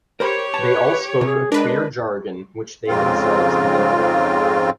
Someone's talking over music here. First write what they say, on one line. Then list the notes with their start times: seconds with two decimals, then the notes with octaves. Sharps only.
They all spoke a queer jargon which they themselves had invented.
0.20 G4 A#4 C5 C#5 B5
0.54 B4 A5
1.21 C3 G#4
1.52 G#3 D4 A#4 B4
2.88 F2 G#2 C#3 C4 F4